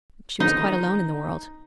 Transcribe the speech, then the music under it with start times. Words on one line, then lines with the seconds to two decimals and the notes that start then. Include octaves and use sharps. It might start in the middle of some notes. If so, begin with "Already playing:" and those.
She was quite alone in the world.
0.40 D#4